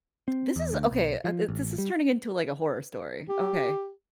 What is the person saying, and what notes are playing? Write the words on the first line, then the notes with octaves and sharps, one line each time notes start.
This is okay, uh, this is turning into, like, a horror story. Okay.
C4
E2
D2
B1
F3
A1
G3
G4